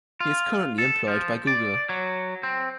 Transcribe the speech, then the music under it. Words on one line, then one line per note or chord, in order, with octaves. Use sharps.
He is currently employed by Google.
F4
A4
F3
D5
F#3
C4